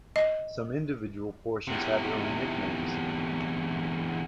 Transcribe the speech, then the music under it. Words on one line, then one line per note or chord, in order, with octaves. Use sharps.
Some individual portions had their own nicknames.
D#5
E2 C3